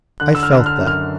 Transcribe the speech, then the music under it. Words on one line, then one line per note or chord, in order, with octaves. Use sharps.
I felt that.
D3 F#6
E6
F6
D3
F6
F#2
F6